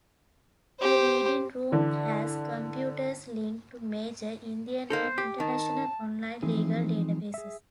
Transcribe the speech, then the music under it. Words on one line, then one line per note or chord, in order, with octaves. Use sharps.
The reading room has computers linked to major Indian and international online legal databases.
G4 C5
D3 E3
A#3 D#4 A4 C5
G4
D#3 A5
E3 F3 C4 D#4 G#4
G#4 E5